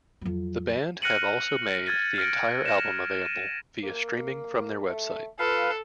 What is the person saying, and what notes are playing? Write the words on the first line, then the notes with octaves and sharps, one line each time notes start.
The band have also made the entire album available via streaming from their website.
F2 F#3
F6 F#6 A#6 C#7 D#7 F#7
F6 G#6 A6 D#7
F6 A#6 C#7 D7
A#6 E7
D#7
A#3
A3
F4 A4 B4 F5